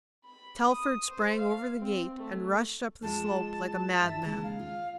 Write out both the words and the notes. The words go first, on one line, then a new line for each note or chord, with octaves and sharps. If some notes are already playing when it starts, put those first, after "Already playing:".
Telford sprang over the gate and rushed up the slope like a madman.
B5
D#6
C5
F5
C4
A3
F2 G#3 F4 A5
G2 F4 E5
D#2 C#3 G#3
F5
F4